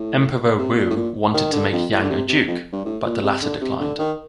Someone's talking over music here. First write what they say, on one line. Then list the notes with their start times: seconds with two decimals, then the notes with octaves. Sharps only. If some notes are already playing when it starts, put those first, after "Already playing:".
Emperor Wu wanted to make Yang a duke, but the latter declined.
Already playing: A2
0.58 C3
0.78 A#2
0.90 A2
0.96 A#2
1.34 D#3
1.53 D3
1.72 F2
1.91 A2
2.03 D3
2.10 C3
2.29 C3
2.47 F2
2.72 G2
2.85 A2
3.05 A#2
3.23 C3
3.42 D3
3.61 C3
3.80 D3
3.99 D#3